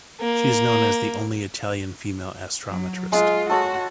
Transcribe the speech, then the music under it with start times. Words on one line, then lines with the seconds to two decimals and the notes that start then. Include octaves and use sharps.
She is known as the only Italian female astrometrist.
0.21 A#3
2.66 F#3
3.12 G#3 F4
3.50 F#4 A4 C#5 A5